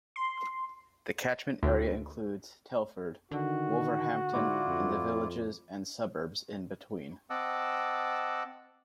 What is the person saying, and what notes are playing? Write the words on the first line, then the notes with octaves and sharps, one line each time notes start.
The catchment area includes Telford, Wolverhampton and the villages and suburbs in between.
C6
D2
D3 D#3 F#4
G#2 E4 F4 D5
F2
C4 D#5 F#5 A5 D6 E6